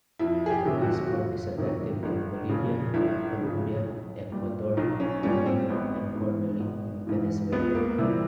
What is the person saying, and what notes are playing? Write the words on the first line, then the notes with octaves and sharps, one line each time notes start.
The passport is effective in Bolivia, Colombia, Ecuador, Peru and formerly, in Venezuela.
F2 E4
G#4
G4
C3 D#3 F#3
F#4
F#4
F2 F4
C3 D#3 F#3
G1
F2 C#3
G1 E4
F2 C#3
B1
A#2 G3
B1 D#4
C#4
A#2 G3 C#4
C4
G#1 B3
G#2 E3
G#1
G#2 E3
C#2 B3
A#3
C3 E3 G3 C4